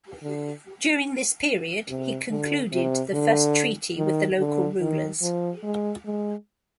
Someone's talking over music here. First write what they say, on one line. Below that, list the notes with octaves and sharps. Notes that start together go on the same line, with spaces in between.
During this period, he concluded the first treaty with the local rulers.
D3
C3
D3
C3
D3
D#3
D3
D#3
F3
G#3
G#3